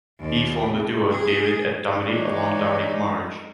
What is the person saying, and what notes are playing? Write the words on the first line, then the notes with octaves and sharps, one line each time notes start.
He formed the duo David et Dominique alongside Dominique Marge.
D#2 D5
C3
G#4
E3 G#3 D4 D#4 C#5